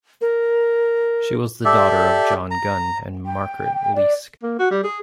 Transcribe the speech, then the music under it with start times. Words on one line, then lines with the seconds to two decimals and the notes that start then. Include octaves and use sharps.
She was the daughter of John Gunn and Margaret Leask.
0.21 A#4
1.65 G4 A4 D5 E5
2.51 A#5
3.26 G5
3.95 D5
4.43 A#3
4.59 F#4
4.71 G3
4.84 G#4